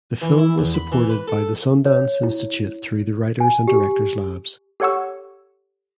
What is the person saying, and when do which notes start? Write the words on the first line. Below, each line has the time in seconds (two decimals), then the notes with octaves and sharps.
The film was supported by the Sundance Institute through the "Writers and Directors Labs".
0.22 E3
0.38 E4
0.58 E2
0.74 B5
0.92 E3
1.10 B4
1.28 A4
1.85 C#5
2.23 E4
3.40 G#5
3.68 G4
4.80 G4 A4 C#5 F#5 C#6 E6